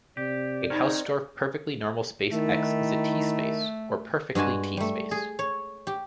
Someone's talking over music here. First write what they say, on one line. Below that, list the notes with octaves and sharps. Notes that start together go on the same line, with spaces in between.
A Hausdorff perfectly normal space "X" is a T space, or perfectly T space.
C3 G4 D5
C4 D#4 A#4 C#5
D#3 A3 E4
G2 G#3 F#4 G#5 A5
G3 A3
G#4
C#5
G4